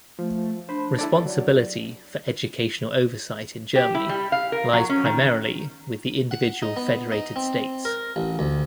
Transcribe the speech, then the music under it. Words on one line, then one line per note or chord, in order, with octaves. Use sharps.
Responsibility for educational oversight in Germany lies primarily with the individual federated states.
F3 A3
D4 C5 B5
E4 A4 D5
F#3 D5
G4
E4
G3
F5
A#4
F#3
C#4
D#3
F#5
D#4
B3
D#4
C4
A#4
A1
D2